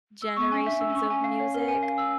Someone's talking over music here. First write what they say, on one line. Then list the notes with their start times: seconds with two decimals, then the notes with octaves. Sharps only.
generations of music.
0.22 E6
0.36 B3 C#6
0.52 C#4 G#5
0.66 D4 E5
0.81 E6
0.88 C#4
0.95 C#6
1.10 C#4 G#5
1.24 F5
1.40 C#5
1.54 A#4
1.68 G#5
1.83 F5
1.98 E6